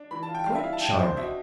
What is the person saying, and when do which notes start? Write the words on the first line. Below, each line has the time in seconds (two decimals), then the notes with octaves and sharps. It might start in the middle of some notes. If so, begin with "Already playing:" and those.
Quite charming!
Already playing: D4
0.11 E3 B5
0.23 A5
0.28 F4
0.35 G5
0.46 G3 F5
0.55 E5
0.63 E4 F5
0.73 A5
0.81 D4 G5
0.99 D4 C5
1.17 B2 E5